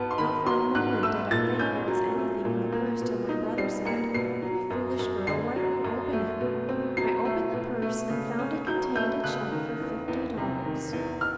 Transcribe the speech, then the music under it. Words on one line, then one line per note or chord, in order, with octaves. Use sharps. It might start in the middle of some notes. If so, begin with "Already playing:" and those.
Not for a moment did I think there was anything in the purse till my brother said: "You foolish girl, why don't you open it?" I opened the purse, and found it contained a check for fifty dollars!
Already playing: G#2 F#3 B3 A5
C6
D#3 B5
F#3 C6
G#2 F#6
A3 E6
A#2 A6
C#4 G6
F#3
A3
A#2
A#3
B2
D#4
G3 C7
A#3 C#7
B2 C7
F#3
F#2
F#2
D3 C7
F#3
F#2
A3
B2
C4
F#3 C7
A3
B2
A3
C#3
C#4
F#3 G6
A3 G6
C#3 F#6
D#3
E2
E2
C3
D#3
E2
F6